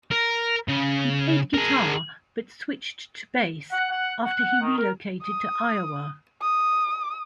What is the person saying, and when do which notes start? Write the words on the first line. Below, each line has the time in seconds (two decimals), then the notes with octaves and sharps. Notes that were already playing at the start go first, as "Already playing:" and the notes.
He played guitar but switched to bass after he relocated to Iowa.
0.12 A#4
0.68 C#3
1.54 G#4 A#4
3.72 F#5
3.90 F#5
4.24 F#5
4.62 D#3
4.77 A#4
5.23 D#6
6.42 D#6